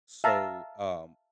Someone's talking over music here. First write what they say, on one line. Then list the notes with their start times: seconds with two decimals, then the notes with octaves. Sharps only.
so, um
0.24 E5 F5 A5 A#5